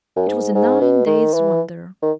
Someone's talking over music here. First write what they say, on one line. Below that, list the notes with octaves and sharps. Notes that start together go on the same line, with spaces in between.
It was a nine days' wonder.
F#2
G#2
G#2
B2
D#3
E3
D#3